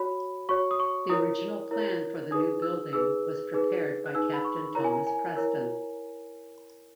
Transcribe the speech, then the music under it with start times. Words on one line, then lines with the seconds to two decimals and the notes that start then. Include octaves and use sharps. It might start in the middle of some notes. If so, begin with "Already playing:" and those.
The original plan for the new building was prepared by Captain Thomas Preston.
Already playing: F#4 C#5 B5
0.49 F#4 C#5 C#6
0.71 D#6
0.80 C#6
1.09 E4 A#4 C#5 D#6
1.71 E4 A#4 C#5
2.31 D#4 G#4 B4 D#6
2.62 E6
2.93 D#4 G#4 B4 E6
3.54 D#4 G#4 B4
4.06 F#6
4.15 D#4 G#4 B4 E6
4.33 B5
4.45 C#6
4.75 E4 A#4 C#5 A#5
4.84 G#5
4.93 A#5
5.07 G#5
5.37 E4 A#4 C#5